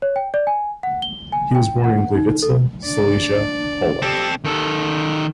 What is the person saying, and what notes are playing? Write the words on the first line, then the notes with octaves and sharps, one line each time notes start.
He was born in Gliwice, Silesia, Poland.
C#5
G5
D5
G#5
F#5
G7
G#5
G5
F#5
D#4
A4
D4 D5
C4 G4 A4
D#3 A4